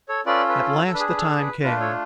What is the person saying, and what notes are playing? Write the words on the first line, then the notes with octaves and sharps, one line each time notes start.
At last the time came.
A4 C#5
C#4 F4 A4 B4 D5
B4
A4
D4 B4
G#4
B4
A4
B4
A3 D4 F4 B4
A4 C#5